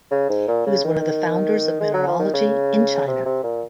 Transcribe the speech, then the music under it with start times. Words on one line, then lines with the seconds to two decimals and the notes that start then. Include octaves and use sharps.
He was one of the founders of mineralogy in China.
0.11 C#3
0.30 G#2
0.48 A#2
0.66 C#3
0.85 D#3
1.80 G#3
1.94 F#3
2.07 F3
2.19 D#3
2.33 C#3
3.07 C3
3.26 C3
3.43 A#2